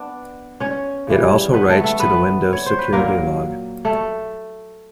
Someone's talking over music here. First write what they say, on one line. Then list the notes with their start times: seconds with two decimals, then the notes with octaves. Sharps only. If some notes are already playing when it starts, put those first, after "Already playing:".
It also writes to the Windows Security Log.
Already playing: B3 D4 D5
0.60 C#4 C#5
1.07 C#3 E3 G3
1.54 B3 B4
1.69 A3 A4
1.84 A3 A4
1.99 B3 B4
2.53 C#5
2.66 C5
2.79 B4
2.93 A#2 F#3 A#3 A#4
3.85 A3 A4